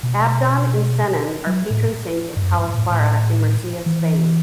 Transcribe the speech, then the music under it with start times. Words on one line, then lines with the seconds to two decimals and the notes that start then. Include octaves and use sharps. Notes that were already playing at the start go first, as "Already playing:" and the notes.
Abdon and Sennen are patron saints of Calasparra, in Murcia, Spain.
0.03 B2
1.47 F#3
1.71 A2
2.37 G2
2.43 F#2
2.59 G2
2.74 A2
2.90 A2
3.86 E3